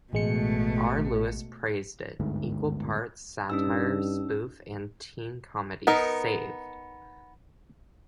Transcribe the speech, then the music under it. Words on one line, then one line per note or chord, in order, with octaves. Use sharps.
R Lewis praised it: "Equal parts satire, spoof and teen comedy, "Saved!
A1 B2 G#3 A3 C#7
G1 D2 G#2
G2 C#4 D#4 E6
B3 D#4 A#4